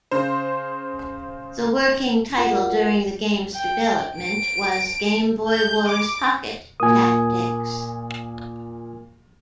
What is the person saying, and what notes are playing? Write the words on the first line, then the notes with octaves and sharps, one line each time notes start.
The working title during the game's development was "Game Boy Wars Pocket Tactics".
C#3 C5
F4 A#4 F#5
G5
D7
G6
D6
A#2 A#3 G#5 D#6